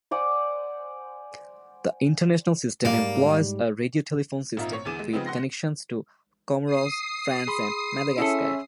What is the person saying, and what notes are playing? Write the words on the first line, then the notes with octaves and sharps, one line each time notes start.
The international system employs a radiotelephone system, with connections to Comoros, France and Madagascar.
C5 D5 F#5 G#5
G#2 G3 A#3 D5
G#1 A#2 D#4 F4 E5 A#5
C#5
D2 E3 G#4 D6 D#7 E7
G#3
C#3 F3 G#3 B3 C4 D#4
F#5 C6 A#6
D#6 C7
G#4 B5 C6
C#4 E4 A4 E5